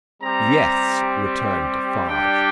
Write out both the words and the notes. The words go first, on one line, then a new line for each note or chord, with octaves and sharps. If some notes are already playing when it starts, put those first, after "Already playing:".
"Yes," returned Defarge.
G3 C4 G4 A#5
G3 D4 G4 G5